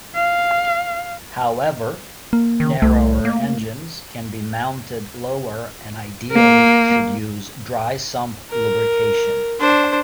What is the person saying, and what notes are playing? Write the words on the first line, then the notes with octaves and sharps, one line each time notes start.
However, narrower engines can be mounted lower and ideally should use dry-sump lubrication.
F5
A#3
D#3
C2 A3
A#3
A#3
A#4
D4 C5